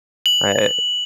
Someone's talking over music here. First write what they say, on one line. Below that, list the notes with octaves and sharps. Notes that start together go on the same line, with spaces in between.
I it
F#7